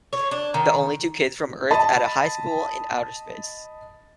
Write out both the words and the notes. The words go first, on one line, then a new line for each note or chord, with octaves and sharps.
The only two kids from Earth at a high school in outer space!
C#5
D4
D#3
D#5 A5 B5